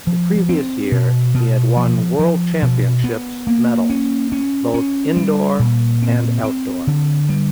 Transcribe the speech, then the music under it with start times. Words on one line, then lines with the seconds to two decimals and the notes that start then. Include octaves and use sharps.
The previous year he had won World Championships medals both indoor and outdoor.
0.07 F3
0.49 C4
0.92 B2
1.34 B2
1.77 F3
2.19 F3
2.62 B2
3.04 B3
3.47 A#3
3.90 C#4
4.32 C#4
4.74 C#4
5.17 G3
5.59 A#2
6.02 C4
6.44 C4
6.87 D3
7.29 G3